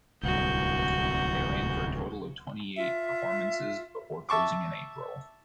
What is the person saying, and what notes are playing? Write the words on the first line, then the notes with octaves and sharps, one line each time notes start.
It ran for a total of twenty eight performances before closing in April.
D1 C2 F#4 G6
F4 E5
E5 A5 C#6 D6